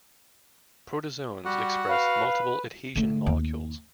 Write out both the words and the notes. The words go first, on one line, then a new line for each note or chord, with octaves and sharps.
Protozoans express multiple adhesion molecules.
G3 F#4 F#5
B4 F5
D3 A3
D#2